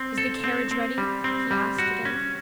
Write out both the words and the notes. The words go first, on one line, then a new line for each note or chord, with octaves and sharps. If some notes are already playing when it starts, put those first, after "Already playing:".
"Is the carriage ready?" he asked again.
Already playing: C4
A4
C4
C4
G3
C4
G3
F#4
C#4